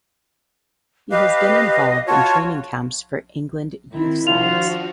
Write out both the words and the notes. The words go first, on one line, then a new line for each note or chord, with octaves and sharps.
He has been involved in training camps for England youth sides.
G4 B4 D#5 F5
F4 F#4 C#5 A5
D#3 C4 E4
F3 D4 F4 F#4 F7